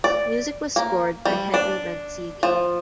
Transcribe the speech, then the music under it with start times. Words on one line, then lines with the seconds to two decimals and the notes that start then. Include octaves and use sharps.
Music was scored by Henry Mancini.
0.04 D5
0.76 A#3
1.25 G3
1.54 D4
2.43 F3